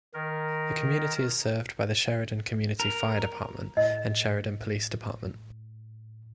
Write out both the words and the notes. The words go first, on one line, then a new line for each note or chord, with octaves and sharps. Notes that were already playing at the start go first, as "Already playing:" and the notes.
The community is served by the Sheridan Community Fire Department and Sheridan Police Department.
D#3 A#4
A#4
A2 D#5